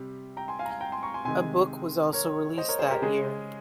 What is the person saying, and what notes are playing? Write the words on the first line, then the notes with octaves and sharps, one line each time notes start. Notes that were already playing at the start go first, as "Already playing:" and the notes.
A book was also released that year.
Already playing: C3 G3
G5 A#5
G#5 C6
F5 G#5
A#5
F5 G#5
G5 A#5
G#5 C6
A#5 C#6
G#5 C6
C3 D#3 G#3 G#5 C6
A#4 C#5
C5 D#5
A#4 C#5
G#4 C5
G4 A#4
C#3 G#3 G#4